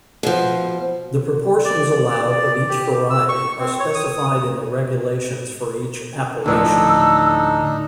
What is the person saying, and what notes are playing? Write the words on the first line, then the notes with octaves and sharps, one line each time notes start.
The proportions allowed of each variety are specified in the regulations for each "appellation".
B2 F3
D5
D5
G4
E6
C#6
C4
C#5
D#6
D2 A2 F3 D4 D#4 A4 E6